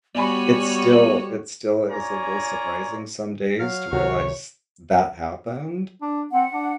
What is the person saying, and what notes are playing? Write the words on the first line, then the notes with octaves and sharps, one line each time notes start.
it's still it still is a little surprising some days to realize that happened,
G3 B3 F#4 C#5 D5 G#5 B5
C#4 F4 C#5 D5 G#5 A#5
F#3 F5
C#2 C3 D#3 F#4 C#5
D4
C4 F#5
D4